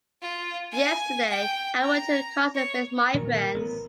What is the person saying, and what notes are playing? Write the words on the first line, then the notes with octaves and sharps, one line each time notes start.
Yesterday I went to a concert with my friends.
F4
G#5
G5
A#5
C#5
A#2 D#3 F#3 A#4
A1 B3